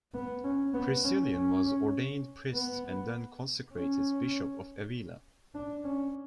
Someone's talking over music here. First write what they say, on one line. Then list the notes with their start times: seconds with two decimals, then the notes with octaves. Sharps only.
Priscillian was ordained priest and then consecrated bishop of Avila.
0.14 B3
0.44 C#4
0.74 B3
1.04 C#4
1.34 C#4
2.54 B3
3.74 C#4
5.55 D4
5.85 C#4